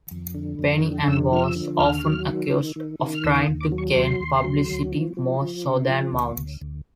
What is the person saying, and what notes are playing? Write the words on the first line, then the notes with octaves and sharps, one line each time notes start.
Penny Ann was often accused of trying to gain publicity more so than mounts.
F2
D3
F2
D3
F2 E6
F3 F6
E6
D3
D#2 F6
F#3
D#3
D#3
D#3
D#3
F6
D#2 E6
D6
D#6
D#2
D6
F#3
C#6
D#2 C6
D#2
F#3
D2
F3
F3
F3
C#3
F3
D2
D2
D2